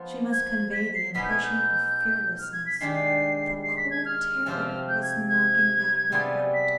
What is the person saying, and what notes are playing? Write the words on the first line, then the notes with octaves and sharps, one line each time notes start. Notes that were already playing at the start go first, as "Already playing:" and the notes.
She must convey the impression of fearlessness, though cold terror was knocking at her heart.
Already playing: F3 B3 F4
G#6
B6
C7
B2 B3 D#4 G#4 B6
G6
G#6
G6
F6
G#6
B6
D#3 G#3 D4 G4 D5 C7
C7
B6
G#6
F6
C3 F3 C4 G4 C5
G6
G#6
G#6
C3 G3 B3 F4 G#4
B6